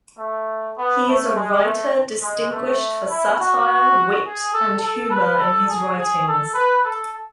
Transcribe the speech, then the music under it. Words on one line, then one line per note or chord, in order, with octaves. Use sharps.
He is a writer distinguished for satire, wit and humour in his writings.
A3
B3
A3
G#3
A3
G#3
A3
E4
F#4
G#4
A4
A4
B4
A4
G#4
G#4
A4
B4
A4